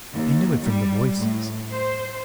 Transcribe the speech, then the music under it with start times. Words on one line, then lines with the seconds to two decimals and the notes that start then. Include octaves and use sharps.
I knew it from the voices.
0.14 D#2
0.64 G3
1.18 A2
1.72 C5